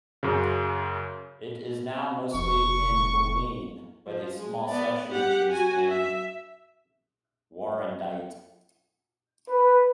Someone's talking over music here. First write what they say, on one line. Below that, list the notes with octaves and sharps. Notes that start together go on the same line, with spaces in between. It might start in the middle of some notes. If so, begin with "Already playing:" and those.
It is now mostly in Bulleen, but a small section is in Warrandyte.
F#2 C#3
F1 C#6
F3
G#3
B3 D5
G4 F#5
F#4 G#5
E5
B4